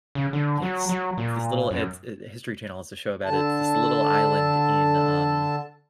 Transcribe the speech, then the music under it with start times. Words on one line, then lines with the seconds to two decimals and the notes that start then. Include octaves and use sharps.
Yes, this little, it's it the History Channel has a show about it's this little island in, um,
0.15 C#3
0.33 D3
0.62 F#3
0.89 F#3
1.17 A#2
1.71 F#2
3.25 D3 A5